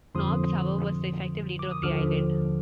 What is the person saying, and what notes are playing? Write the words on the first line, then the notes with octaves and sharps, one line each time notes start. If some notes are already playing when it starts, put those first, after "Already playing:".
Nobbs, however, was the effective leader of the island.
F2 D3 F3 C6 D#6
D6
D#6
D#2 D3 F3 D6 F6